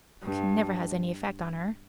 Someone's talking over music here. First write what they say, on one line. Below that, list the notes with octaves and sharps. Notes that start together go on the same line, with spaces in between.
"Coaxing never has any effect on her."
G2